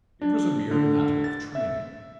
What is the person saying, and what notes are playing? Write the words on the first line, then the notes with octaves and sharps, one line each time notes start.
It was a mere matter of training.
D4
D3
A6
E5